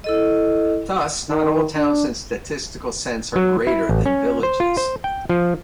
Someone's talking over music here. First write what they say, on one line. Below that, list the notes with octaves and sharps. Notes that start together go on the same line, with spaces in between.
Thus, not all towns in statistical sense are greater than villages.
E4 A4 D#5
D#3
D4
F#3
E4
A1
C#4
C5
F4
C5
G5
F3